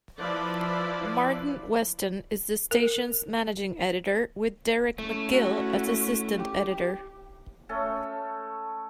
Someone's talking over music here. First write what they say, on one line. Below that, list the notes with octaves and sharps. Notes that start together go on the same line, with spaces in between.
Martyn Weston is the station's managing editor with Derek McGill as assistant editor.
F3 E4 B4 D5
A#4
A3 C#4 E4
F#4
G4
A3 C#4 A4